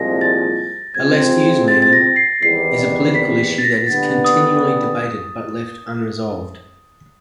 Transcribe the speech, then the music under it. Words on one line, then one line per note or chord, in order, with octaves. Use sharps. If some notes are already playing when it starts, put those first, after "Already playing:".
A less-used meaning, is a political issue that is continually debated but left unresolved.
Already playing: C2 A#2 F3 G#3 A#6
A6
F2 C3 F3 G#3 C4 G#6
A6
A6
A#6
C7
E2 C3 D#3 G3 C7
B6
B6
A6
A#6
D3 G3 B3 A6
D#6